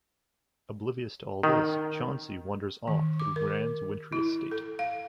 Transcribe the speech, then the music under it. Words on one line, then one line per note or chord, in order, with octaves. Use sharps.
Oblivious to all this, "Chauncey" wanders off through Rand's wintry estate.
D#3
D#3
D6
A#4
E4
A4
F5